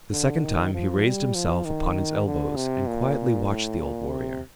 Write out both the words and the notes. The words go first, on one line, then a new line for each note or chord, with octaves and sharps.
The second time he raised himself upon his elbows and quietly watched the old warrior.
D3
D#3
F3
G3
F3
D#3
D3
C3
A#2
A2
A#2
C3